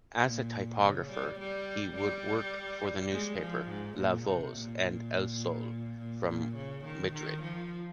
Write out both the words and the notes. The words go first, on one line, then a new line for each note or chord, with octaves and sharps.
As a typographer he would work for the newspapers “La Voz” and “El Sol” from Madrid.
A#2
C#3
G3
G3
G3
G#3
F3
G#2
A#2
C3
A#2
A#2
A#2
C#3
D#3
D#3
F3